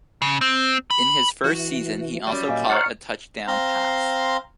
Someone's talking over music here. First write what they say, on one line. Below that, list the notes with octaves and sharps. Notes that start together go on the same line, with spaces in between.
In his first season, he also caught a touchdown pass.
C#3
C4
B5
E3 F#4
F#2 G3
A#2 D#5 F5 G#5
C5 C#5 F#5 A#5 C#6 D#6 F6 A6
C4 F5 A#5 C6